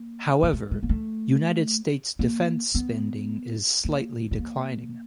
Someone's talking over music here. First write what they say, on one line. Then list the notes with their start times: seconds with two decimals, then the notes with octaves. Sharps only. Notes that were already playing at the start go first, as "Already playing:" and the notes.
However, United States defense spending is slightly declining.
Already playing: A#3
0.43 A#3
0.53 A3
0.71 G#3
0.83 A#3
0.89 A3
2.19 A#3
2.75 B3
3.84 A#3
4.31 B3
4.39 A#3